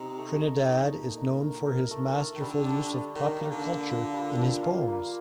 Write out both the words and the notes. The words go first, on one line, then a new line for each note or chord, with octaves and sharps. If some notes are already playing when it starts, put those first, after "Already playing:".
Trinidad is known for his masterful use of popular culture in his poems.
Already playing: C3 D#4
A3
D#4
D#4
A#2 A3
D#4
A#4
A#4
A3
A3
D#3
D3 G3
D4
D4
D#3 D4
A#3
D3
A#3
F4
G3
D4
F4
A#3